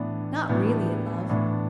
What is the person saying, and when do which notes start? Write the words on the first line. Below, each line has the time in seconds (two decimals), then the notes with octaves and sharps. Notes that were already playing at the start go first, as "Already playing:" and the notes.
Not really in love.
Already playing: A2 E3 B3 D4
0.49 A2 E3 B3 D4
1.29 A2 E3 B3 D4